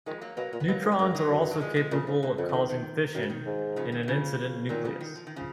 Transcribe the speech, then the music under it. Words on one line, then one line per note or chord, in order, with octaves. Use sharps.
Neutrons are also capable of causing fission in an incident nucleus.
D#3 F3 G#3
F#3 A#3
B2 F#3 A#3
A#2 A#3
B3
B2 F#3 A#3
G#2
B3
F#2 F#3 A#3
D#3 F#3
F#2
F#3
F3 G#3
F3 G#3
A#2 C#3 F3
G#2 C#3
G#2 B2
F2 C#3
C#3
D#3
D#3
F#2 D#3
C#3
D#3
G#2
C#3 F3
D#3
D#3
C#3 F3
A#2 D#3 F#3
C#3 F3
D#3
F3
D#3
C#3 F3